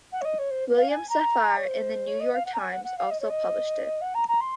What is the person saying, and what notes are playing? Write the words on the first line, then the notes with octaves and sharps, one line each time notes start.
William Safire in "The New York Times" also published it.
F#5
C#5
D#5
C#5
C5
F5
G#5
A#5
C#5
C5
C#5
D#5
F5
F#5
A#5
G#5
F#5
F#5
F5
D#5
C#5
D#5
F#5
A#5
A#5
C6